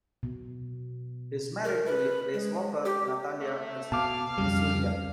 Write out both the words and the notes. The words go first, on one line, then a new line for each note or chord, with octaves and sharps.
He is married to racewalker Natalya Misyulya.
B2
A#4
B4
G#3
G4
A3
B2 F5 A5 D6
F2 C#3 G3
C#2